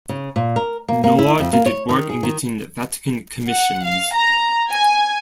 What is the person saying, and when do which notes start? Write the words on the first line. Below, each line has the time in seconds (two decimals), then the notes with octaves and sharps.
Nor did it work in getting Vatican commissions.
0.09 C#3
0.36 A#2
0.56 A#4
0.88 A#3
1.04 A#3
1.18 E4
1.40 F2
1.53 A#3
1.66 C#5
1.89 D#3
2.09 G#4
2.23 D#3
3.49 F#5
3.85 F5
4.14 A#5
4.71 G#5